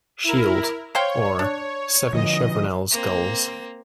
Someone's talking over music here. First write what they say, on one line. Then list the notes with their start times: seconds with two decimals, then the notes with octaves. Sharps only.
Shield: "Or, seven chevronels gules".
0.24 E4 A#4
0.95 C5 C#5 F5 G5
1.39 D4
2.13 D3 F3 D#5
2.91 A#3 C4